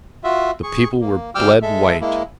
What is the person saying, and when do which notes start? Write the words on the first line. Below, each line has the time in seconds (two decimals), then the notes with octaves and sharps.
The people were bled white.
0.24 F4 F#4 E5
0.63 G#4 C#6
1.01 A#3
1.35 D2 G3 G5 D6 E6 F6
1.62 G#3 A4 E5
2.01 G#3 A#3 E4